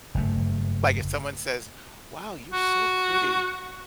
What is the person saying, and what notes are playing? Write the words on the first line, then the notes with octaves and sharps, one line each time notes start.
Like, if someone says, "Wow, you're so pretty."
F#1 G2 A3
F#4